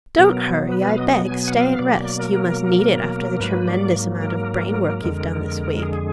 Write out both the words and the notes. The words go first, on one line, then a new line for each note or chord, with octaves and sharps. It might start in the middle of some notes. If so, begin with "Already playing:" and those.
'Don't hurry, I beg; stay and rest; you must need it after the tremendous amount of brain work you've done this week.
B2 F#3 B3 A#4
B4
F5
D#5
G#5
F#5
F5
B2 F#3 A#3 D5
A#4
G#2 F#3 A#3 B4
D5
A#4
F2 D3 G#3
G#4